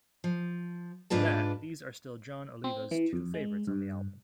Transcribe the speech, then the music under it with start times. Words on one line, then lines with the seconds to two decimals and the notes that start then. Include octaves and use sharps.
For that, these are still Jon Oliva's two favorites on the album.
0.24 F3
1.10 G#2 D4 F4 B4 A5
2.64 C4
2.91 E3
3.13 F2
3.34 G#3
3.67 G2